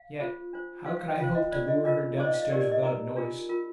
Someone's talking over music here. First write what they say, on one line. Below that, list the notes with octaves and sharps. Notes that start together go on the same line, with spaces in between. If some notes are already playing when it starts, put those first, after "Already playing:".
Yet how could I hope to lure her down-stairs without noise?
Already playing: F5
F4 G#4 C5
D4 F4 C5
D#4 G#4 C5 F5
F5
G5
F4 C5 F5
D#5
F4 C5 D5
D#5
D4 F4 A#4 D#5
D#4 G#4 C5 D5
D#5
F5
D#5
D#4 G4 A#4 D5
D5
D#5
D#4 A#4 A#5
D4 F4 A#4
F4 A#4